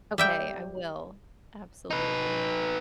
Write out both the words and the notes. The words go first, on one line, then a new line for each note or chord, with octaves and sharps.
Okay, I will. Absolutely.
G3 E5 G5
D#4 B4